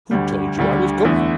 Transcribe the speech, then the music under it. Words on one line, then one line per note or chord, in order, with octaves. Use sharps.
"Who told you I was going?"
D2 D3 G3
D2 D3 G3
E2 D3 A3 E4